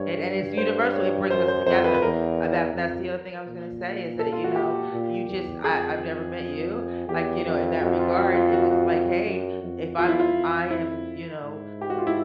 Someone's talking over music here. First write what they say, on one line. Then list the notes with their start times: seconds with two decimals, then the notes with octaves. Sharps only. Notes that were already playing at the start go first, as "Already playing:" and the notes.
And and it's universal, it brings us together. Uh, that that's the other thing I was gonna say, is that, you know, you just I I've never met you, like, you know, in that regard, and it's like, "Hey," if I'm I am, you know,
Already playing: G2 C#5
0.58 C5
0.93 C#5
1.30 F#2 C5
1.48 C5
1.66 F2 C5
1.84 B4
1.94 B4
2.02 E2 A#4
2.74 F2
3.47 A#2
4.19 A4
4.32 F4
4.44 F#4
4.56 G4
4.92 A#2
5.28 E2
5.64 F2 G#4
7.08 E2 G4
7.45 F2
7.81 F2 F#4
7.99 F4
8.18 F#4
8.35 F4
8.53 F#4
8.62 F4
8.71 F#4
9.25 F#2
9.62 F2
9.98 E2 F4
10.08 E4
10.20 F4
10.34 F2
10.71 E4
11.43 G#2
11.81 G4
11.90 F#4
11.98 F4
12.07 E4